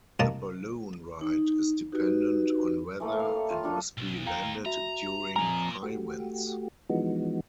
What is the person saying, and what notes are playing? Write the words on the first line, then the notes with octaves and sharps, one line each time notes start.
The balloon ride is dependent on weather and must be landed during high winds.
C2 A#3 D#5 A5
D#4
D#4 F#4 G4 B4
E3 A3 A#3 A4
F5
G3 C#5
F4
G3 D4 F4 A4
B1
A#3 D#4 F5 G5 A#5
F#4 E5 A#5
F2 G#2 F4 A#4 G#5 A#5
A3 F#4 G4
E3 F3 G#3 B3 D#4 F#4